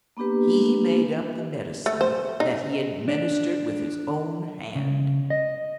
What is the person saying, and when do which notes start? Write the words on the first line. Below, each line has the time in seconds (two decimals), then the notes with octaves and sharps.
He made up the medicine that he administered with his own hand.
0.17 A#3 B3 D4 G4 B4
1.86 A3
2.01 C5
2.40 D#4
3.08 D4
4.75 C#3
5.30 D#5